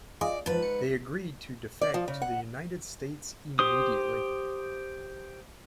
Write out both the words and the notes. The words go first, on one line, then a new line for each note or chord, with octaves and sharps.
They agreed to defect to the United States immediately.
F4 G#4 D5 D#5
G#2 F3 B4 A5
C#7
D5
F3
C#3
F#5
G4 C5 D#6